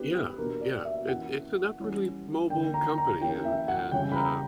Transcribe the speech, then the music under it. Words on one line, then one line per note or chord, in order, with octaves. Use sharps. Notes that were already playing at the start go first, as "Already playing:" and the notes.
Yeah, yeah, it it's an upwardly mobile company, and and, uh,
Already playing: E3 B3 D4 G4 B4
G4
B2 A#3 D4 A#4
D5
E5
E3 A#3 C#4 F#5
E3 G3 C#4
D3 A#3 D4 G5
A#5
A#5
E3 A#3 C#4 G5
E5
F#5
C#3 G3 C#4 G5
B5
A#5